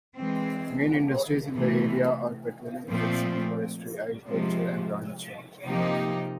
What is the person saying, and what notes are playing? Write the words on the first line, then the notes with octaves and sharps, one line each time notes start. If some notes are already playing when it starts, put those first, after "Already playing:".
Main industries in the area are petroleum production, forestry, agriculture, and ranching.
E3 G#3 C4
C3 E3 A3
A#2 F3 A3 C4
C3 F3 G#3
C3 F3 A#3 D#4 G4